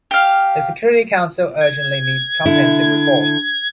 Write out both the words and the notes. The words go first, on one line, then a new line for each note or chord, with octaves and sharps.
The Security Council urgently needs comprehensive reform.
G4 F5
G#6
D3 E4